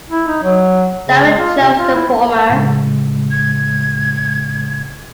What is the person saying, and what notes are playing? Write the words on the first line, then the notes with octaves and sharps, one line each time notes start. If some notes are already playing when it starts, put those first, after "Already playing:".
Sara chose the former.
E4
D#4
F#3
C#3
G#3
F4
C3
F4
E4
A2 C#3 G#3
G#6